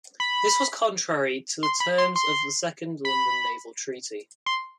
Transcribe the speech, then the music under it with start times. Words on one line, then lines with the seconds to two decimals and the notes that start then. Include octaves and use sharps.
This was contrary to the terms of the Second London Naval Treaty.
0.20 B5
1.63 C6
1.80 B5
1.98 C6
2.16 C6
3.05 B5
4.46 C6